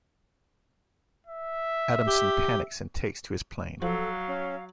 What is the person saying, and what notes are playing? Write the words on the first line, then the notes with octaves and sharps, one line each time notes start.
Adamson panics and takes to his plane.
E5
G4
F3 F#3 A4 F5
C#4